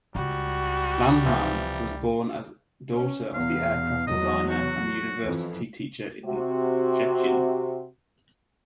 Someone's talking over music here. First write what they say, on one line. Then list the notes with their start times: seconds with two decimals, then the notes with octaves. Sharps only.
Landmann was born as daughter of the aircraft designer and university teacher in Szczecin.
0.15 C#2 G3 F#4
1.26 C3 E3 F3
2.91 C#4
3.34 E2 B2 F5
4.07 E2 F#3 D#5
4.51 F#4
5.23 F2 E3
6.25 C3 F#4